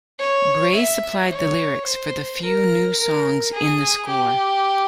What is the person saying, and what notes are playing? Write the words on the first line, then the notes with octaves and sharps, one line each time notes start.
Grey supplied the lyrics for the few new songs in the score.
C#5
E5
C#5
C5
A#4
A#4
G#4
G4